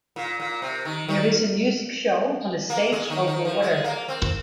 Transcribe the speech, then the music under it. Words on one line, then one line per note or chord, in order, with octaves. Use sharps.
There is a music show on a stage over water.
A#2
A#2
C3
D#3
D#3
A#3
G#3
D#3
D#3
F3
G#3
A#3
C4